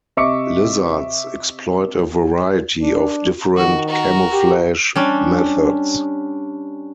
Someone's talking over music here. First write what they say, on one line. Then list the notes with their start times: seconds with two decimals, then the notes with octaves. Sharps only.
Lizards exploit a variety of different camouflage methods.
0.17 C3 D#5 E5 C#6 D6 C#7
2.82 D4
3.57 D#3 F#4
3.89 F#4 A#4
4.32 G4
4.95 G3 C#4 D4